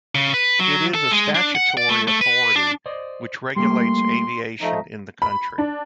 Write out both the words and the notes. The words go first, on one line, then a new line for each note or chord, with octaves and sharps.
It is a statutory authority which regulates aviation in the country.
C#3
B4
F#3
A4
G#3
D4
F#5
D5
A3
A3
B4
D4
C5 D5 D#5
G3 A3 A#3 C6
F3 A3 D#4 D#5 E5 A#5
B5
D4